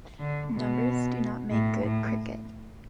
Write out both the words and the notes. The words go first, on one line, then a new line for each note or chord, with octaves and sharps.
Numbers do not make good cricket.
D3
B2
A2
A2